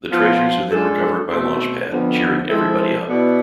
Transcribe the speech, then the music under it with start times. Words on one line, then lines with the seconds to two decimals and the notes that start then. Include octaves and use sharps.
The treasures are then recovered by Launchpad, cheering everybody up.
0.11 F3 B3 F4
0.70 G#3 D4 F4 A4
1.30 B2 A3 C4
1.89 F2 D3 F3 B3
2.49 F3 G#3 C4 E4 A4
3.08 B2 B3 E4 B4 D5